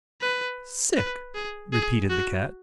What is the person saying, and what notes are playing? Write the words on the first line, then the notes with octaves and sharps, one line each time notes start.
"Sick!" repeated the Cat.
B4
B4
G#4
G#4
F#4